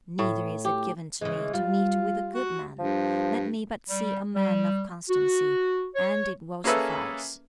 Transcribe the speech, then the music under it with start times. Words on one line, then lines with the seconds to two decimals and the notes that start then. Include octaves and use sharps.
Neither is it given to me to meet with a good man; let me but see a man of constancy, and it will suffice.
0.19 A2
0.65 G4
1.21 C#3 E3 G#3
1.53 G3 F4
2.33 F#4
2.79 G2 F3
3.89 G3
4.35 G3
5.09 F#4
5.95 C#5
6.64 A#3 C#4 G#4 A4 B4 E5